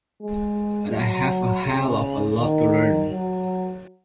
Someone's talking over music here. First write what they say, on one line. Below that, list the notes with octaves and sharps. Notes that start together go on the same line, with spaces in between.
But I have a hell of a lot to learn.
G#3
F#3
C#3
D#3
F#3